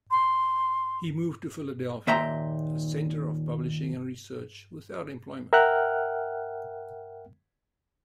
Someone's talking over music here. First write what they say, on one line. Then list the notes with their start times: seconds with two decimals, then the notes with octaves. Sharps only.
He moved to Philadelphia, a center of publishing and research, without employment.
0.11 C6
2.07 D#2 A#2 E5 G5 A#5 C6
5.53 A#4 E5 F#5 G5 F6 F#6